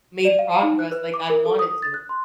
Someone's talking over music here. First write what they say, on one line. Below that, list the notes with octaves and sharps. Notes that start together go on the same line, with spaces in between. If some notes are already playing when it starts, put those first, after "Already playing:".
made progress like I wanted to."
D5
F5
D#4
F#6
B4
D6
A#4
A4
D#6
A6
F#6
C6